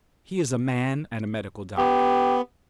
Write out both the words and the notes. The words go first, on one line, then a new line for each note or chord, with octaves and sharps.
He is a man and a medical doctor.
B3 G4